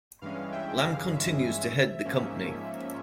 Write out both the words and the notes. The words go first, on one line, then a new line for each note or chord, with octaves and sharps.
Lam continues to head the company.
G2 E3 G#3 C#4 F5
E5 G5
F5
E5
G#2 F3 A#3 C#4